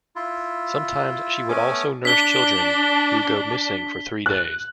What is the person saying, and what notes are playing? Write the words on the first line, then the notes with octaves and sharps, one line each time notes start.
Sometimes she would also nurse children who go missing for three days.
E4 F4
A3 B3 C#4 G#5 D6
D4 B6 G7
F#6